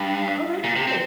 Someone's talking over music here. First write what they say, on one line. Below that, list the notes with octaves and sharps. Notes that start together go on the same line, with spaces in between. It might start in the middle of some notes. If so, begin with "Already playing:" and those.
Oh, that's great.
Already playing: G2
A#2
C3
C4